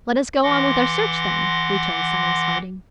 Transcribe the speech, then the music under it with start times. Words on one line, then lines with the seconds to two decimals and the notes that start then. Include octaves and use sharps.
"Let us go on with our search, then," returned Cyrus Harding.
0.43 E3 F#5 C6 D6 A#6